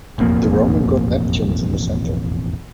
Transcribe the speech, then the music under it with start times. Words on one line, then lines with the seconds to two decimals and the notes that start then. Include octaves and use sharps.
The Roman god Neptune is in the center.
0.18 E1 A1 F2 A#3